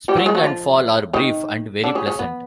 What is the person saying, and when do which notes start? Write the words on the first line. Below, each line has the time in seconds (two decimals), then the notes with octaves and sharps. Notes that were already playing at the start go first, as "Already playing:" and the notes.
Spring and fall are brief and very pleasant.
0.08 G3 G4
0.17 F#3 F#4
0.26 G#3 G#4
0.35 F#3 F#4
0.44 F3 F4
1.13 D#3 D#4
1.84 D3 D4
1.95 C#3 C#4
2.07 C#3 C#4
2.19 B3